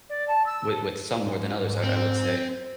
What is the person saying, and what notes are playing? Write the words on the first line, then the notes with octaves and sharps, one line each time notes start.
with with some more than others, I I would say.
D5
A5
E6
A4
G#2
C4